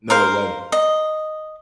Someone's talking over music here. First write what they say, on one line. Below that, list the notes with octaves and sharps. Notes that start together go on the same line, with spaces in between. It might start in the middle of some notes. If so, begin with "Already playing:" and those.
No, it wasn't.
A#4 C5 F5
D#5